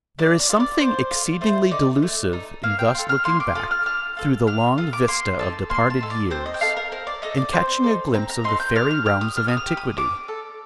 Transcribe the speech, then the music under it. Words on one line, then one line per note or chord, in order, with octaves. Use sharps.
There is something exceedingly delusive in thus looking back, through the long vista of departed years, and catching a glimpse of the fairy realms of antiquity.
D4 D5
D5
F4 A4
D5
D4 C5
F4 A4
A3 C5
D#4 A4 D5
A3
D#4 A4
A#3 F5
G5
F4 A4
F6
A#3 C6
D6
F4 A4 D#6
F6
D4 F6
F4 A4
D4 F6
F4 A4 D#6
D6
A#3 C6
D#4 A4 A5
A#3 C6
A5
D#4 A4
D5
C4 C5
D#5
G5
D#4 A4 F5
A#4
C4 A#4
D5
D#4 A4 D#5
D5
C4 C5
D#4 A4
C4 A#5
A#5
D#4 A4 C6
G6
D4 F6
F6
G4 F6
D#6
D4 F6
D#6
F6
G4
D#6
D4 D6
A4